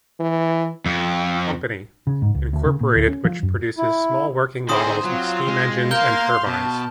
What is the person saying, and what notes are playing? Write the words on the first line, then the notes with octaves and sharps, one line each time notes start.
Company, Incorporated which produces small working models of steam engines and turbines.
E3
F2
C#3
G#2
C#2
D2
C#3
A#2
D2
C#4
F3
F#2
E4
D3 C4 D#4 G#4 C5 C6 D#6
F#3 C4 F4
G#3
A#3 A#4 F5 C6 F6 G6 G7
B2 A5